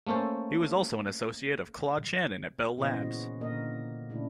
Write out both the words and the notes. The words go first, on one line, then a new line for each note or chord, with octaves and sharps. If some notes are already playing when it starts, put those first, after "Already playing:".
He was also an associate of Claude Shannon at Bell Labs.
A3 A#3 C#4 A4 C5
A#2 C#3 E3 B3 C5 D#5
D#3 C#4 F#4
A#2 D3 A#3 A#4 D#5
A#2 C#3 A3 D4 E4